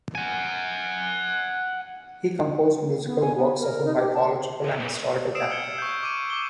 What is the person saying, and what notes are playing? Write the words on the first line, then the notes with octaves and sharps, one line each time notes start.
He composed musical works of a mythological and historical character.
F#5 G#5
B3
G#5
B3
A#4
D#4
G4
A5
D#6 E6 C7 D7 E7
F6 G#6 C#7 E7 G7
C#6 G6
D6 D#7
D6 G7